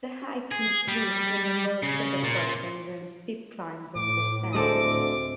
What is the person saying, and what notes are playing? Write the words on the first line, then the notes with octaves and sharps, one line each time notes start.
The hike includes a number of river crossings and steep climbs and descents.
G#4
G3
C#3
A#2
A2 D6
D2 G#3 C4 A4 D6